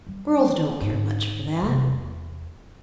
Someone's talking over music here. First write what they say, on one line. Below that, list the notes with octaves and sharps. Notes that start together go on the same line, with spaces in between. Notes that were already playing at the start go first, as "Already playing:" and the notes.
"Girls don't care much for that."
G3 B3
G#2
C3 A3
E2